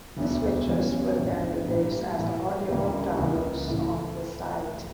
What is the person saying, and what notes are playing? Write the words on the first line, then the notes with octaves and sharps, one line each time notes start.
These lectures were then released as audio downloads on the site.
E1 D2 D3
E2 C#3 F3 C#4 E4
A1 G2 D3
A2 G3 A#3 E4
A2 E3 A3 E4
D2 C#3 G3 A#3
C#2 C#3 E3 A#3
A2 E3 A3 E4